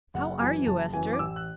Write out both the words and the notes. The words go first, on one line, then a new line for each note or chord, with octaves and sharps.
"How are you, Ester?"
F#1 F#5
F#2 E3 G#5
F#1 A5
F#2 E3 G#5
D6
A1 E6
F#6